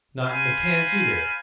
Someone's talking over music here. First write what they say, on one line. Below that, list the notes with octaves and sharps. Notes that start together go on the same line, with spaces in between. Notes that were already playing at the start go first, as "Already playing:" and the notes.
Not in the pants, either?
F4 C5 F5 G#5 A#5 B5